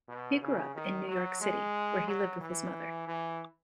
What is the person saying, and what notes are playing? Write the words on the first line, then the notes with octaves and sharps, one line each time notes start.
He grew up in New York City where he lived with his mother.
B2
C#3
D#3
F#3
G#3
F#3
E3
E3